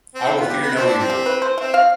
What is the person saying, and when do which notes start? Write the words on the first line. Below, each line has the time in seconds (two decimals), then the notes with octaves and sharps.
I will fear no evil.
0.15 C4
0.27 E4
0.38 B3 F4
0.50 G4
0.62 B3
0.75 C4
0.78 C5
0.86 D4
0.98 C4
1.10 G4
1.26 B4
1.42 C5
1.58 C4 E5
1.74 F5